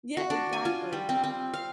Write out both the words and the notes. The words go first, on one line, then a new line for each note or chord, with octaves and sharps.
Yeah, exactly.
F#4
D4
G#5
F4
G3
C4
C4
F5